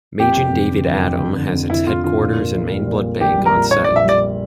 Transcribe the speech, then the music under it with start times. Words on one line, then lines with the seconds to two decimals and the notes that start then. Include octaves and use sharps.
Magen David Adom has its headquarters and main blood bank on site.
0.19 F2 G4
0.36 F1
0.53 F1
0.70 D3
0.87 F2
1.03 F1
1.20 F1
1.37 D3
1.54 F2
1.70 F1 E4
1.87 F1 F4
2.03 D3 F4
2.20 A#2
2.37 A#3
2.54 A#1
2.71 G3
2.87 A#2
3.04 A#3
3.21 A#1 G4
3.38 G3
3.46 A#4
3.54 A#2
3.71 A#3 C#5
3.84 A#1 D5
3.96 E5
4.04 G3 D5